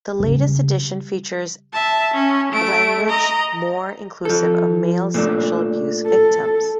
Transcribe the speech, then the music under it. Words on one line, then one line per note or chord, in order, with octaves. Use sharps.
The latest edition features language more inclusive of male sexual abuse victims.
C#3 G3
E5 A5
C#4
A3 D7
D#5 A#5
F3 A4
A#2 A3 D4
A4